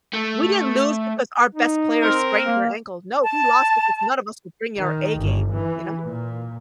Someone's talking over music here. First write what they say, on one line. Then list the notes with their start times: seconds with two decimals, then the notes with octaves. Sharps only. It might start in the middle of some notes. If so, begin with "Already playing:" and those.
we didn't lose because our best player sprained her ankle no, we lost because none of us were bringing our A game, you know?
0.14 A3
1.55 D#4
2.02 C4 A#4
2.45 A#3
3.22 A5
4.80 D#3
5.17 G1
5.57 E3
6.03 A#2